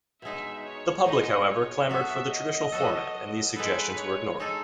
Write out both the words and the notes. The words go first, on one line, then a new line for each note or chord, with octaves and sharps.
The public however clamoured for the traditional format and these suggestions were ignored.
B2 G#3 D#4 E5
C#5
B2 G#3 D#4 D#5
C#5
F#3 B3 F#4 A4 E5
D#5
F#3 B3 F#4 A4
G#3 D#4 A4 B4
C#5
G#3 D#4 A4